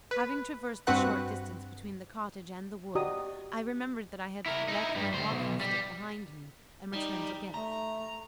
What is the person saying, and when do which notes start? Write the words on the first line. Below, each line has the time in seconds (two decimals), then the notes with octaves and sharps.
Having traversed the short distance between the cottage and the wood, I remembered that I had left my walking-stick behind me, and returned to get it.
0.11 B4
0.87 G2 C4 F#4 B4 F#5 F#6
2.95 F#4 G4 D5 D#5 A#5 D#6
4.46 E4 A#4
4.68 D#4 E4
4.96 G2 G3
5.14 D2 C5
5.31 B1
5.61 G3
6.93 G3 D#4
7.54 A3 A#5